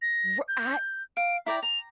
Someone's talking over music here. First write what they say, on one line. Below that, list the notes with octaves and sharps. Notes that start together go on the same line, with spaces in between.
r I
A#6
G6
F5 D7
E4 D5 G5 A#5
A#5 F7